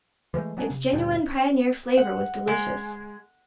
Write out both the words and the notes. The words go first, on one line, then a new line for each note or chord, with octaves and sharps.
Its genuine pioneer-flavor was delicious.
E3 F3 G#3 A3
F#3 B3 C#4 D4
C3
D2 G2 A#2
F#5
G#3